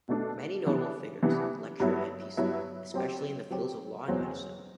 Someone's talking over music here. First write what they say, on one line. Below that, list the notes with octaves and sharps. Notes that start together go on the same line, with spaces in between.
Many notable figures lectured at Pisa, especially in the fields of law and medicine.
B2 A3 D4 A4
C3 E3 B3 D4
C3 E3 B3 D4
G2 F#3 B3 E4
G2 F#3 B3 E4
F#3 C4 G4
F#3 C4 G4
E2 B2 F#3 C4